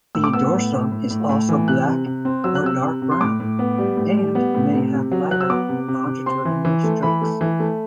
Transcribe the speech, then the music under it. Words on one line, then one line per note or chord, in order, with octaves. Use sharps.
The dorsum is also black or dark brown, and may have lighter longitudinal streaks.
A2 E6
D6
B3 E6
A2
A2
A2
A2
A2
E3
C3 F#6
C3
C3
C4
F#3 E6
F#6
C3 E6
C3
C3
C6
A2 D6
A2
B3
G3
A2
G3
B3
A2
C3
C3
F#3
F#3 F#6
E6
B3 D6
C3
C3
C3
C4 C6
E3
E3
A3
E3 B5
A3
E3
A3